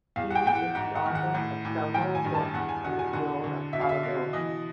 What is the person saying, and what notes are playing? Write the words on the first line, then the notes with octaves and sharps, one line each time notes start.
He is the author of several books in the field of probability.
E2 F5
F#5
G5
E2 G5
F#5
G#2 F#5
F#5
D#3
F#5
A2 F#5
A2
D#3 G5
G#5
G2
A5
E2 F#5
G#5
B2 F#5
G#5
D3 F#5
D3
B2 E5
F5
E5
B2
E3 D#5